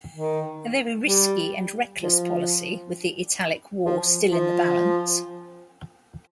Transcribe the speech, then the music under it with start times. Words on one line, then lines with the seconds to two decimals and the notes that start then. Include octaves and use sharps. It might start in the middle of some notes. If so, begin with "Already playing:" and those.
A very risky and reckless policy with the Italic War still in the balance.
0.14 D#3
1.06 G3
1.99 F3
3.84 F3
4.30 F3